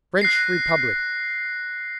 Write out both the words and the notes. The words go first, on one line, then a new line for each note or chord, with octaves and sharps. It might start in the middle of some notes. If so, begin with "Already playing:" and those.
"French Republic."
F#6 A#6 C7